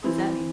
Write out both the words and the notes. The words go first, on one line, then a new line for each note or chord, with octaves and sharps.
What does that mean?
E3 C4 E4